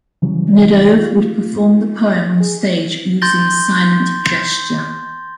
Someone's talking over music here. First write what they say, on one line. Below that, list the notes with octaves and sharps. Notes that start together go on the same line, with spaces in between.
Gnedov would perform the poem on stage using a silent gesture.
C#3 E3 F#3 G3
A3 F4
G#4
C6 G6 A6 A#6 G7